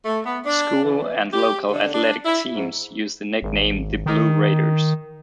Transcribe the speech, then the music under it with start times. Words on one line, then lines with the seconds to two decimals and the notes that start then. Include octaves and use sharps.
School and local athletic teams use the nickname the Blue Raiders.
0.05 A3
0.24 B3
0.45 D4
0.83 E3
1.33 G4
1.71 D3
1.92 D4
2.23 E4
2.53 G#2
3.42 G#1
4.06 D#3